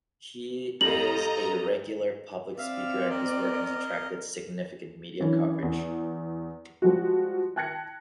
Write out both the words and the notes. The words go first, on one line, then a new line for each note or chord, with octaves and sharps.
He is a regular public speaker and his work has attracted significant media coverage.
F2 G3 A4 D#5 A#5 F#7
C4 D5 E5 F5
A#4 D#5
F#2 E3 C#4 D4
E2
F3 G3 G#3 F#4
G5 A5 F#6 G#6 A#6 C#7